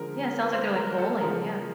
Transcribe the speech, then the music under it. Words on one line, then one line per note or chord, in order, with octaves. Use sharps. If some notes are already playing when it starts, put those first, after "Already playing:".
Yeah, sounds like they're, like, bowling, yeah.
Already playing: D3 F3 G#3 A#4
B4
C5
A#4
A4
C#3 F3 G#3 A#4